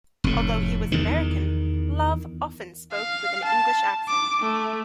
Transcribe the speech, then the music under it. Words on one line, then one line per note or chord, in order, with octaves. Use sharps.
Although he was American, Love often spoke with an English accent.
F1 A2
E2 D#3
F5
A5
D6
A3